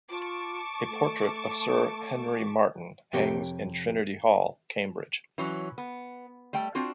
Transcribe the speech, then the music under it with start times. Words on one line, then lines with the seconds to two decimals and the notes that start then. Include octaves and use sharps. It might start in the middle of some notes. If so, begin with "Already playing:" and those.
A portrait of Sir Henry Martin hangs in Trinity Hall, Cambridge.
0.10 F4 A5 C#6 D6
0.88 A3
3.13 F2 C3 G4 A#4 C#5
5.38 E3 F#3 C#4
5.78 B3
6.53 G3 A3 G5
6.75 C4 D4 F4 F#4